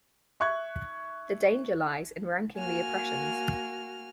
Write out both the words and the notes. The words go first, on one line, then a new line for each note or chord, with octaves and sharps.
The danger lies in ranking the oppressions.
E5 C#6 F#6 G#6
A#3 F#4 G#5 F6